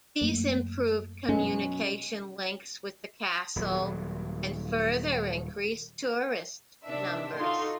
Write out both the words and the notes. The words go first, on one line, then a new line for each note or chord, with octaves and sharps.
These improved communication links with the castle and further increased tourist numbers.
F#2 A3 A#3
B2 F#3 G#3 C#4
D#1 F#3
C3 D#3 D4 E5
D#4 F4 F#4 A4 C6